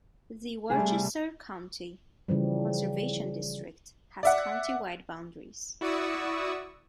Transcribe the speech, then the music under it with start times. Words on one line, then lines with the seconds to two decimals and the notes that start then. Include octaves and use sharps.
The Worcester County Conservation District has countywide boundaries.
0.70 C3 G3 A3 G#4
2.28 C#3 E3 F3 G3
4.23 D5 E5 F#5
5.81 E4 F#4 D5 C#6 D#6 E6